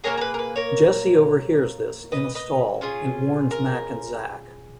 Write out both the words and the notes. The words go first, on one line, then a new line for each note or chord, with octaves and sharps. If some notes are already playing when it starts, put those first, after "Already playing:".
Jesse overhears this, in a stall, and warns Mac and Zack.
A#3 C#4 G#4 A#4 C#5
A#4
B4
A#4
B4
A#4 C#5
B4 D#5
B4 D#5
C#4 F4 G#4
A#4